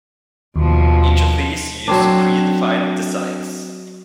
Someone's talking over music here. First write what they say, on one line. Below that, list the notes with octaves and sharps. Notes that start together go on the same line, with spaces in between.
Each of these use predefined designs.
D#2 B2 F3
F#3 C4 D4